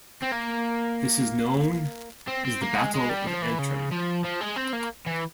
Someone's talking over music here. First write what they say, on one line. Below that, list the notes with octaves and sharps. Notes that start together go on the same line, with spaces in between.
This is known as the Battle of Antrim.
C4
A#3
C4
C4
A#3
G#3
G#3
G3
F3
E3
C#3
F3
F3
G#3
C4
A#3
E3